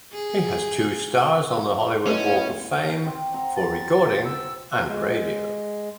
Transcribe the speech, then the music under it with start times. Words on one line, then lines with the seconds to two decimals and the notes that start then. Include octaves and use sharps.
He has two stars on the Hollywood Walk of Fame; for recording and radio.
0.13 G#4
2.06 A3 B3 C#4 E4 D#5
3.05 C4
3.34 C4 F#5 A#5
3.57 A6
4.25 E6
4.85 G#3